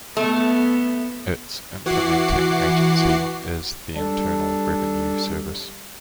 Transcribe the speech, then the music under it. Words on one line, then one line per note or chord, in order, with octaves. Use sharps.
Its implementing agency is the Internal Revenue Service.
A3 B3
E3 F#4 F#5 D6 C7
G3 D4 A4